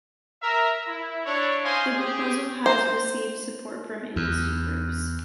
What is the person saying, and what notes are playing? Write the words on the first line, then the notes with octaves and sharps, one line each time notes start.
The proposal has received support from industry groups.
A#4 E5 A#5
E4
D4 E4 C#5
C#4 C5 D#5 F5 G#5 C6
G4 G#4
C5
E2